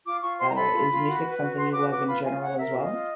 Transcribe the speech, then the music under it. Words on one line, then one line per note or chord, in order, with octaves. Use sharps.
uh, is music something you love in general as well?
F4 D6
F4 C#6
C5 C6
A#5
A4 B5
F4
F4
F#4
B4
F#4
B4 C6
F#4 D6
B4 D6
F4 B5
F4 G#5
C#5 F#5
A#4 E5
F4
D#5
F4